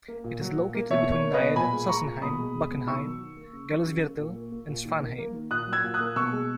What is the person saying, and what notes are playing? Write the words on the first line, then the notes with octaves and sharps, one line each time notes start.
It is located between Nied, Sossenheim, Bockenheim, Gallusviertel and Schwanheim.
A#3
A#2
F#3
A#2
A#3
B2 C#5 E5
A#3
C#5
A#3
B4 D#5
B2
A#2 G#5 B5
G#3
G#3 A#5 C#6
A#2
B2 B5 D#6
G#3
G#3
B2
D#3 C#6 E6
F#3
D#3
A#3
C#3
F#3
C#3
A#3
A#2
A#3
A#3
A#2
D#3
A#3
A#3
D#3
A#2 D#6 F#6
F#3
E6 G#6
A#2
D#6 F#6
A#3
B2 C#6 E6
G#3